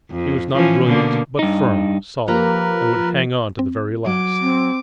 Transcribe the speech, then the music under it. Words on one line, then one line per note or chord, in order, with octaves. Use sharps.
He was not brilliant, but firm, solid, and would hang on to the very last.
F2
E3 F3 C#4
B2 D3 A#3
G2 D#4
F3 A#3 G4 A#4 B4 A#5
C4
F#3 D6
C4